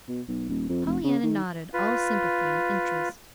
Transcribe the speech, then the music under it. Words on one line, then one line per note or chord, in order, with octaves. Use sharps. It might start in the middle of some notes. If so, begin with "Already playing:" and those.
Pollyanna nodded, all sympathy and interest.
B2
B1
D#1
F2
F1
C#3
D#3
F4 B4